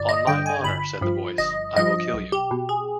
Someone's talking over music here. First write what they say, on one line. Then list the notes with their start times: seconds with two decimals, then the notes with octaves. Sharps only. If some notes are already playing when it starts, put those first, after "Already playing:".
"On my honour," said the Voice, "I will kill you."
Already playing: G1 D5
0.09 D#5
0.27 G2 D3 G5
0.46 G#5
0.64 G1 B5
1.01 G2 F3
1.38 G1 D#5
1.76 G2 F3 D#5
2.13 B1
2.32 G4
2.51 B2
2.69 G#4